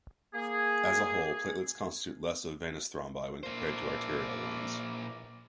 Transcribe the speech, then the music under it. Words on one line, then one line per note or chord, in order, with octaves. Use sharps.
As a whole, platelets constitute less of venous thrombi when compared to arterial ones.
A#3 G#4
A#2 E3 A#3 C5 D5